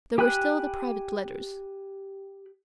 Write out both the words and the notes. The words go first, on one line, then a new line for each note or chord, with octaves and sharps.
There were still the private letters.
G4 G5 G#5 B5 F#6